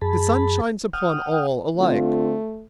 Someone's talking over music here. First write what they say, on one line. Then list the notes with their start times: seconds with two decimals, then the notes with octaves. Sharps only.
The sun shines upon all alike!
0.01 F#2 G#4 A5 B5
0.93 F#5 G5 D#6 F6
1.77 D3 A3 C4 F4